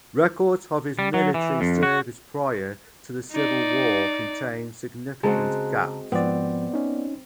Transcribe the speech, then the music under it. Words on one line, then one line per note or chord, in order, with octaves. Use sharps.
Records of his military service prior to the Civil War contain significant gaps.
G3
F#3
E3
F2
F#4
D#4 D5
C#3 G#3 C4 F#4 A5 A#5
G#2 F3 B3 C4 D5
C#4 D#4